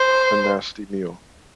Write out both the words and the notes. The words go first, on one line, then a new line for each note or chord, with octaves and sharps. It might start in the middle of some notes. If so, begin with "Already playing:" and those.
a nasty meal.
Already playing: C5